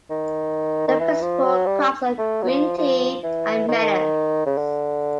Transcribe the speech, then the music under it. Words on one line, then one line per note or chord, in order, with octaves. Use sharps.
The principal crops are green tea and melons.
D#3
D#3
E3
F3
F#3
G3
A3
F#3
F3
F3
E3
D#3
E3
D#3
C#3
D3